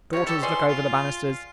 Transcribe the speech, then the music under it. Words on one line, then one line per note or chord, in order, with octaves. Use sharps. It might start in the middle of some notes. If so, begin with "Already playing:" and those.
Daughters look over the banisters.
C3 G3 C#5
E4 G4 A4
B2 G#4 D5 C6
F4